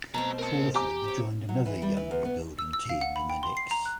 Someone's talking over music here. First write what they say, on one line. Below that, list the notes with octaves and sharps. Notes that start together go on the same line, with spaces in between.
Crawford joined another young rebuilding team in the Knicks.
B2 F#3 A3 C4 A#5
A#4 A5
G4 G#5 A#5 D6
C4 C#5
F#3
E3
G3
E3
E2
B3
E6
E6
F5
F#5
B5
G5
C6
C7
A#5
F#6